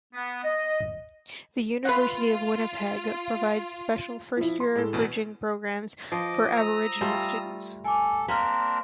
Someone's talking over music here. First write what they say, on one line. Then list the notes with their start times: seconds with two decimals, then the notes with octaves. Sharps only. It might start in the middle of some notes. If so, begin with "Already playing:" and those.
The University of Winnipeg provides special first-year bridging programs for Aboriginal students.
0.14 B3
0.44 D#5
1.85 F4 B4 F#5
4.37 F3 E4
4.60 C6
4.76 A2 G#3 A4
4.93 E2 B2
6.12 F3 D#5 D6
6.55 A#5 D#6 E6
7.01 G3 A3 F4
7.85 A4 G#5 D6
8.28 A#3 C4 D4 A#4 F6 B6